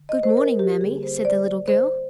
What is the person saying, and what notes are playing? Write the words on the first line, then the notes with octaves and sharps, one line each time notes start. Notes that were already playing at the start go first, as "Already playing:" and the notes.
"Good morning, mammy," said the little girl.
Already playing: D3
D#5
C5
A#4
G4
D3 G3 A#3 G#4
C5
C5
D5
C5